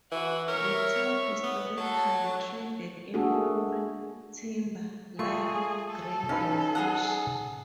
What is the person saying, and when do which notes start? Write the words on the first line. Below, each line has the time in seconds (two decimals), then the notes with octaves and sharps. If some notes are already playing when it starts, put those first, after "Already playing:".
The town historically traded in coal, timber, lime, grain and fish.
0.12 E3 F#4
0.48 A#4 C#5 E5
1.43 B3
1.78 F#3 A4
3.14 A3 A#3 D4 F#4 G#4 A4
5.19 A3 F4 G#4 C#6
5.91 A4
6.29 C#4 D#4 B4 F5
6.75 G#4 D#5 F#5